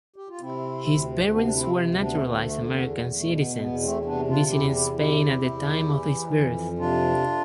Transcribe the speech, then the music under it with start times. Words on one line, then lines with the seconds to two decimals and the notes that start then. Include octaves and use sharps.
His parents were naturalized American citizens, visiting Spain at the time of his birth.
0.16 G4
0.28 F4
0.40 C3 C4 E4
0.86 D2
1.31 C3 B3 D4
1.45 D4
1.54 C4 E4
1.77 D2
2.00 B3 D4
2.12 A3
2.22 D3 B3
2.45 A3
2.68 E2 B3
2.91 B3
3.14 B2 A3
3.36 B3
3.60 E2 B3
3.82 A3 C4
4.05 C3 B3 D4
4.28 D4 F4
4.50 E2 E4 G4
4.73 E4 G4
4.96 C3 E4 G4
5.42 E2
5.88 E3
6.33 F2
6.78 C3 D4 F4